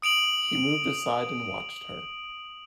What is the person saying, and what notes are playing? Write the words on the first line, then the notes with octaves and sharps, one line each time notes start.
He moved aside and watched her.
D#6 D7 F7 F#7